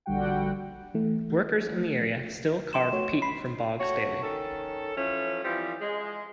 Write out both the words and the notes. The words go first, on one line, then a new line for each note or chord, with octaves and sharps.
Workers in the area still carve peat from bogs daily.
A#1 D3 G3 F#4 F#5 G5
E3 A3
C6 E7
A3 F#4 C#5
B5 C7
A3 F#4 C#5
D#3 C#4 A4
E3 F3 A3 C#4
E3 F3 G3 C4
G#3